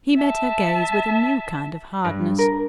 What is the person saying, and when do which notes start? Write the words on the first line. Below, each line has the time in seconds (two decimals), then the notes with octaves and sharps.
He met her gaze with a new kind of hardness.
0.16 E5 A5
2.05 G2
2.39 A#4